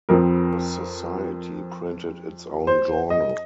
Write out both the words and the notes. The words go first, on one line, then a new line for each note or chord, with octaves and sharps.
The society printed its own journal.
F2 F3 C4 A#4
C5
D#5